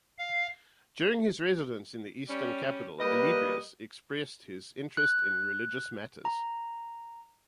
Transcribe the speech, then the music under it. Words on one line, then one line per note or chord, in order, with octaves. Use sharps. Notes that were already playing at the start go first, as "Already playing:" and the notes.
During his residence in the Eastern capital, Olybrius expressed his interest in religious matters.
F5
G3 C#4
G3 A#3 G4 A#4 B4 D#5
F#6
A#5